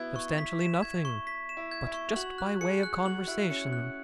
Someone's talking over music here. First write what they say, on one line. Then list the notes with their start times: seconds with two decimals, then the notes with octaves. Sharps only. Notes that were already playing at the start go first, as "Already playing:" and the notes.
"Substantially nothing--but just by way of conversation."
Already playing: B3 E4 F#4 G#6
0.16 C#6
0.38 B6
0.61 E7
0.82 G#6
1.05 C#6
1.27 B6
1.49 E7
1.57 E4
1.71 G#6
1.87 E4
1.94 C#6
2.16 F#4 F#7
2.38 F#6
2.61 G#4 C#7
2.83 F#6
3.05 F#4 F#7
3.27 E4 F#6
3.50 C#4 C#7
3.73 F#6